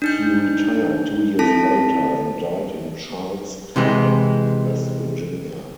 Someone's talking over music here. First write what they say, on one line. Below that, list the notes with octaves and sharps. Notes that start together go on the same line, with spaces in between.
He retired two years later and died in Charles Town, West Virginia.
D4 D#4 G6
C4 E4 A4 A5 B6
C3 E3 G#3